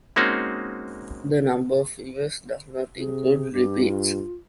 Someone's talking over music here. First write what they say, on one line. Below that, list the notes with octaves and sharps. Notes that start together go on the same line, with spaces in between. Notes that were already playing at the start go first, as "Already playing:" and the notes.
The number of viewers does not include repeats.
G#3 A#3 C4 C#4 D#4 F#4
C3 G#4
G2 G4
F4